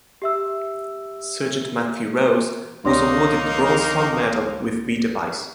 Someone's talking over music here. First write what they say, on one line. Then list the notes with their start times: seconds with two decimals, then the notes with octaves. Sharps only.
Sergeant Matthew Rose was awarded the Bronze Star Medal with "V" Device.
0.22 G4 E5 E6
2.85 C#2 A#3 D4 D#4 C#5 C6 D#6 A#6